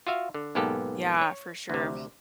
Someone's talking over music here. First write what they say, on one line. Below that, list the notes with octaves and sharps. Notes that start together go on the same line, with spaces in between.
Yeah, for sure.
F4 F#4 E5 F5
D3
B1 G#2 A#3 B3 G4 A4
C#5
D2 C3